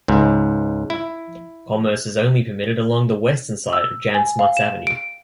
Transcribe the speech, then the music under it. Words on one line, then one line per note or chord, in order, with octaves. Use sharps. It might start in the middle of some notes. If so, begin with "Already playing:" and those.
Commerce is only permitted along the Western side of Jan Smuts Avenue.
C#2 G#2
E4
E6
G#5
F5
E7
D7